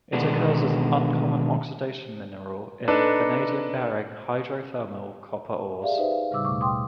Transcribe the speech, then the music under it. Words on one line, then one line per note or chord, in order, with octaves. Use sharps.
It occurs as an uncommon oxidation mineral in vanadium bearing hydrothermal copper ores.
B2 D3 D#3 G#3 B3 D4
D4 D#4 A4 B4
G4 G#4 D5 E5 F5
D#4 B4 C5 E5
F5
A2 C#3 G3 D#4 D6 E6
D#2 B2 A3 C#6 D6
G5 C6 D6 D#6